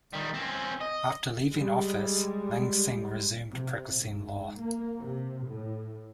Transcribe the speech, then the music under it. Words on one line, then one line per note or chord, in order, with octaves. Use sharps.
After leaving office Lansing resumed practicing law.
D#3 G3
C4 C#4
D#5
G3 G#3
C3
G#2
A#3
C3
A2